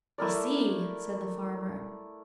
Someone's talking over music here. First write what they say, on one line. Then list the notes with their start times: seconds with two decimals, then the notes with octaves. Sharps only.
"I see," said the farmer.
0.18 A3 E4 A#4 D5